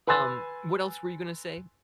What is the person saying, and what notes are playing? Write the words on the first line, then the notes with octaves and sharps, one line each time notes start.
Um, what else were you gonna say
B4 G#5 C6 E6 A6